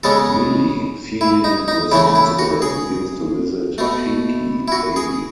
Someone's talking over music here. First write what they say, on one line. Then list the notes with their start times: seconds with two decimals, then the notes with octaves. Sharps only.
Millie, feeling responsible, begins to visit Pinky daily.
0.03 C#3 G#3 B3 A4
1.21 E4
1.44 D#4
1.68 D#4
1.91 C#3 E3 A3 E4
2.15 E4
2.39 F#4
2.62 G#4
3.78 B2 A3
4.68 E4
4.72 F#4
4.96 G#4